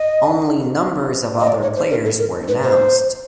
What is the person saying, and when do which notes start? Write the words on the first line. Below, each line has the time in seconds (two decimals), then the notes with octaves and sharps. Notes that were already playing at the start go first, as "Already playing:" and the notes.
Only numbers of other players were announced.
Already playing: D#5
1.40 D#5
1.47 D5
1.62 C#5
1.76 C5
1.90 A#4
2.05 A4
2.19 A#4
2.48 B4
2.63 C5